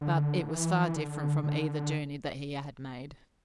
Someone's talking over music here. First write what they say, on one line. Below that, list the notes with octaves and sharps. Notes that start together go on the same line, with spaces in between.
But it was far different from either journey that he had made.
D3
E3
D3
D3